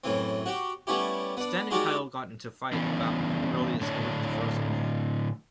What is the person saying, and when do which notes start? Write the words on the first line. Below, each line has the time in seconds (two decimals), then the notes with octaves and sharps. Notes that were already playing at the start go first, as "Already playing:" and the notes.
Stan and Kyle get into a fight about who really discovered the frozen man.
0.04 F#2 A2 E3 C4
0.46 F#4 G4 G5
0.87 G3 A3 B3 C#4 E4 G4
1.37 B3 D4
1.71 G#3 D#4 F#4 G4 A#4 D5
2.73 E3 B3 C#4 D4
3.81 A2 D3 D4 C#5